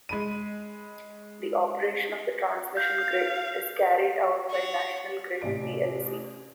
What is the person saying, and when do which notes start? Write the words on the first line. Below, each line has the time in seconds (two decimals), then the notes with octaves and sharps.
The operation of the transmission grid is carried out by National Grid plc.
0.09 G#3 B5 D#7
2.77 F5 G6
4.49 C#5 F#5
5.41 A1 C3 D5 D7